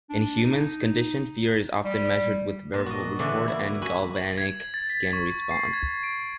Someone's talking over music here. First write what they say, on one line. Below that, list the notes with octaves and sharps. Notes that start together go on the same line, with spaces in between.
In humans, conditioned fear is often measured with verbal report and galvanic skin response.
D4
D#4
G3
A#2
F#4 D#5
D3 E3 D5
A#3 E4
F#4 G#5 B5
F#7
G#6
A6
B6
C#6
C7
G#6
D7